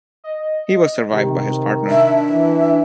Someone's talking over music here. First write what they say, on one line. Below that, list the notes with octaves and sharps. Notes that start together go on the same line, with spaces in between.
He was survived by his partner.
D#5
C3 D#3
D4 E5
E3